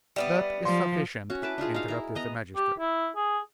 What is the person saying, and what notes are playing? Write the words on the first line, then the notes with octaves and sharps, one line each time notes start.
"That is sufficient," interrupted the magistrate.
G3 A#3 B3 D5 E5
F3 C6
C#4 F#4
E4 B4 A5 D6
D4 D#4 F4 G#4
D#4 F#4 F5
E4 A#4
B3 D#5 A#5
G4
E4
G#4